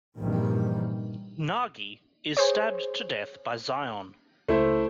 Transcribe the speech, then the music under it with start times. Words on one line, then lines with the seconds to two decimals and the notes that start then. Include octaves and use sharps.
Nagi is stabbed to death by Xion.
0.20 A#1 G2 C3 D#3 E3 G3
2.37 G#4 C5 C#5
4.48 C#2 A3 E4 C5